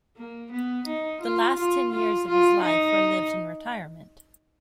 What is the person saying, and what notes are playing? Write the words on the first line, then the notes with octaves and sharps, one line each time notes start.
The last ten years of his life were lived in retirement.
A#3
B3
D#4
F4
F4
F4
F4
D#4